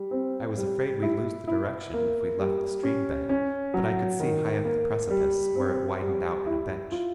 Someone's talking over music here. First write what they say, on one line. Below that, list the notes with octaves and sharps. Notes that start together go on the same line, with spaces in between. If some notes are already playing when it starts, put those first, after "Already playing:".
I was afraid we'd lose the direction if we left the stream bed, but I could see high up the precipice where it widened out in a bench.
Already playing: G3
C4
G3
E4
E4
A#3
G3
C#4
C#4
F#3
D#3
A#3
G3
C4
G3
E4
F4